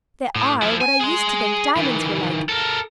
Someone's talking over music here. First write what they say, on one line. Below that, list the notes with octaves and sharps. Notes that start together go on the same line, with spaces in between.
They are what I used to think diamonds were like.
A2
F3 E4
G#5
G#4 C6
D#3 E3
A4 A#4